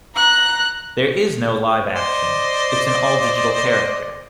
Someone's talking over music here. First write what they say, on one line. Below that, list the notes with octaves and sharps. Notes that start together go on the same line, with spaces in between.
There is no live action; it's an all-digital character.
A#5 F#6
C5 D5 D#5